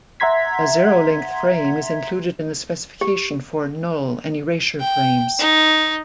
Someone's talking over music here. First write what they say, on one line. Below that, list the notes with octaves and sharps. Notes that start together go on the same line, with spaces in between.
A zero length frame is included in the specification for 'null' and erasure frames.
E5 F#5 A#5 C6 G#6 B6
G4
G5
D#4